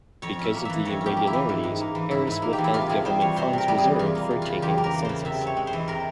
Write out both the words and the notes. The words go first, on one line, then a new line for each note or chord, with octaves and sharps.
Because of the irregularities, Harris withheld government funds reserved for taking the census.
F2 C#5
C#4 E5
A#3
E3 E5
F2 C#5
C#4
G4
A#3
E4
E3
G#2
G#2
A#3
E3
G#2 E4
G#2 E4
A#3
G4
E3
E4
C3 F4
C3 G#4
G3 C5
E3 C#5
C3 C5
C3 A#4
G3
G#4
E3
E2 F4
A#3
E3
C#3 F4
E2 G4
A#3
A#4
E3
C#3 C5
C3 E5
C4
C#5
G#3
C5
E3
C3 A#4